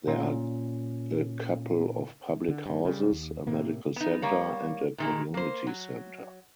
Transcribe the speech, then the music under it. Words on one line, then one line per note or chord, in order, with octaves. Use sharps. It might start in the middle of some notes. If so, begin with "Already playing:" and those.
There are a couple of public houses, a medical centre and a community centre.
A#2 C#4
D3
G2
C#3 G3
D#2
A2 C3 A#3
B3 D#4
G3 A#3 C#5
A#2 D#3 G#3
A#3 C5
F#3